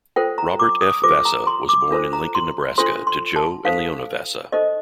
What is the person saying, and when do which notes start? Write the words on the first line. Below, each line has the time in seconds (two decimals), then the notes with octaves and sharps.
Robert F. Vasa was born in Lincoln, Nebraska, to Joe and Leona Vasa.
0.16 F4 A4 C5 G5
0.38 A#5
0.59 D6
0.81 D#6
1.03 F4 A4 C5 D6
1.25 A#5
1.47 C6
1.69 D6
1.91 D4 F4 A4 C5
2.13 A#5
2.35 C6
2.78 D4 F4 A4 C5 C6
3.07 C6
3.36 A5
3.65 D#4 A4 C5 F5
4.52 D#4 A4 C5 D#5